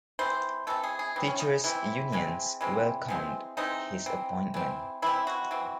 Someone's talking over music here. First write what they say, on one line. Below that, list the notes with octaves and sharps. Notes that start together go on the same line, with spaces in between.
Teachers unions welcomed his appointment.
E3 C4 C5
E3 C4 A4
G#4
G#4
E3 C4
C#4
D#4
E3 C4 E4
E3 G#3 C4
E3 G#3 C4
E3 G#3 C4
E3 G#3 C4 D#4
E3 C4
E3 C4
E3 C4 E4
F#4
E3 C4